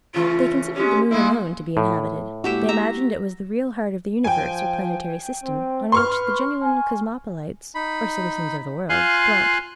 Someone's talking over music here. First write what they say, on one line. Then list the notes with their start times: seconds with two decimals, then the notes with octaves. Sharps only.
They considered the moon alone to be inhabited: they imagined it was the real heart of the universe or planetary system, on which the genuine Cosmopolites, or citizens of the world, dwelt.
0.14 C#3 E3 A3 F4
0.76 G#3 C#4 G4
1.11 G#3 A#3 D#4 E4
1.77 A2
2.44 G#3 A#3 E4 F#4 G4 E5
2.69 E5 A#5
4.24 F3 G5 G#5
5.43 C4
5.92 B4 C6 C#6 F6
6.63 G#5
7.75 D#4 B5
8.89 F4 F5 G#5 C6 F#6